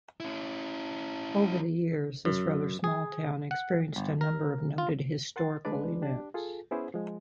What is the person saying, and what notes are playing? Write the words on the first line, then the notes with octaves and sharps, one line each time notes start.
Over the years, this rather small town experienced a number of noted historical events.
C#4 E4
F#2
G#4
F#5
G1
A#4
F4
A#4 F#5 C6 A6
D3 G#3 A3 D4 B4 D5
D4 G4
F4 G#4 A4
B3 C#4 E4 G#4 B4 C5
F3 G#3